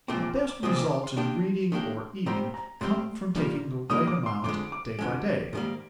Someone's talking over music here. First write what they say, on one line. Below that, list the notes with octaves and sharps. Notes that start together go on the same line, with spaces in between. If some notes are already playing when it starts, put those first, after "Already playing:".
The best results in reading or eating come from taking the right amount day by day.
C2 A#2 F3 G#3 C4 D6
D6
D6
D6
C2 A#2 F3 G#3 C4 D#6
D6
D6
C6
D#3 A#3 D4 G4
D#3 A#3 D4 G4
G#2 G3 C4 G4 C5 A#5
A#5
G#2 G3 C4 G4 C5 C6
A#2 G3 A#3 D#4
A#2 G3 A#3 D#4 D#6
D6
C6
F2 D3 G#3 D6
D6
F2 D3 G#3
G#2 D#3 G3 A#3